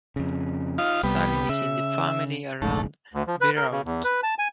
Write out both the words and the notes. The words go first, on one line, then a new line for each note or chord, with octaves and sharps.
Sailing is in the family around Breault.
F2 C#3
D#4 F4 F5
C2 G3 B3
C#3 E5
F1 A#1 G#2 A3
D2
F3
B4
A#4
C#3
E2
B4
A5
G#5